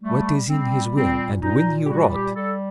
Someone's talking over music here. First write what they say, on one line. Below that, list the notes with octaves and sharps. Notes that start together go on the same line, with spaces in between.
What is in his will, and when he wrote?'
G3 A3
G3 C4
A#2 C4
A#2 D#4
G4
G3 F#4
G4
G3 A4